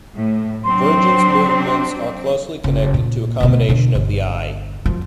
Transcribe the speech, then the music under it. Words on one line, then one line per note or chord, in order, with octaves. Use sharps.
Vergence movements are closely connected to accommodation of the eye.
A2
F#3 C4 D4 C6
F#1
A#2
D2 B2
B2 D3
G1
F#2 F3